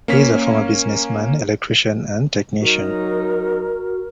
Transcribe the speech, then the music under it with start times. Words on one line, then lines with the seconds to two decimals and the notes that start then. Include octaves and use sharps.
He is a former businessman, electrician and technician.
0.08 A#3 C#4 B6
2.61 F#3 D#4 F#4 A#4